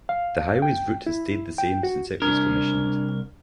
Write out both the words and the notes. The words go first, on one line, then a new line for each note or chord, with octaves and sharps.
The highway's route has stayed the same since it was commissioned.
F5
G5
E4
G5
F#4
C2 D4 A#4